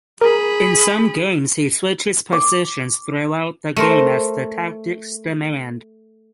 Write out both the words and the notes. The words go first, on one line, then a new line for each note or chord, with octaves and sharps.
In some games he switches positions throughout the game as the tactics demand.
G#4 A#4 B5
D6
A3 A#4 C5